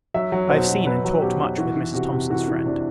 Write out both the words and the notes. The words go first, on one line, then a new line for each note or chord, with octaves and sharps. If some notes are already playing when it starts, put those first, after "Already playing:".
I have seen, and talked much with, Mrs. Thomson's friend.
F#3 E5
F#3
B2 C5
B2
F#3 B4
F#3
B2 G4
B2
E3 F#4
E3
C3 F#4
C3
E3 F#4
E3
C3 D4